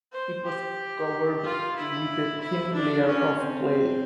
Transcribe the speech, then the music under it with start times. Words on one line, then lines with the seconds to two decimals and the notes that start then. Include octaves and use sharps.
It was covered with a thin layer of clay.
0.12 C5
0.45 G4
1.43 F4
1.76 E4
2.40 E4
2.74 D4
3.06 C#4
3.38 C4